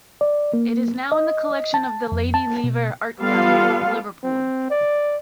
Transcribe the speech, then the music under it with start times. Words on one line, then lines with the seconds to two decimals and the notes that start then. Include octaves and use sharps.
It is now in the collection of the Lady Lever Art Gallery, Liverpool.
0.21 D5
0.54 A#3
1.12 D#5
1.74 A5
2.12 F2
2.34 A5
2.64 B2
3.20 G3 B3 F4 A4 F5
4.23 C4
4.70 D5